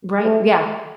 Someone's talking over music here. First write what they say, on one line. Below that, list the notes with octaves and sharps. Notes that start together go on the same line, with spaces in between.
Right, yeah.
A3